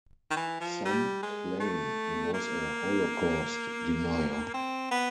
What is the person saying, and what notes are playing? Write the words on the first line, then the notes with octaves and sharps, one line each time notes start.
Some claim he was a Holocaust denier.
D#3
E3
F3
G3
G#3
A3
A#3
C4
B3